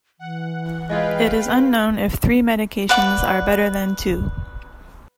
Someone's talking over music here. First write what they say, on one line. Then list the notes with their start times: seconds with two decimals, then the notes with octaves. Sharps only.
It is unknown if three medications are better than two.
0.19 E3 F#5
0.89 G#3 F4 G#4 B4 F5 G5
2.89 B4 D5 F#5 D6